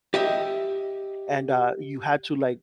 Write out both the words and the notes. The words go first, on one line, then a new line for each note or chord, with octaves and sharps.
and, uh, you had to, like,
G4 D#5 E5